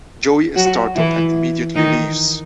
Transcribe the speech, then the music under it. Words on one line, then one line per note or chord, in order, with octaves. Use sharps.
Joey is startled and immediately leaves.
F#3 F#4
E3 E4
D#3 D#4